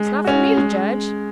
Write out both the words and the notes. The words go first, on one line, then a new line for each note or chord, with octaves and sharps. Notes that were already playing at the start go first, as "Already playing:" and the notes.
It's not for me to judge.
Already playing: G#3
C#4 F#4
G#3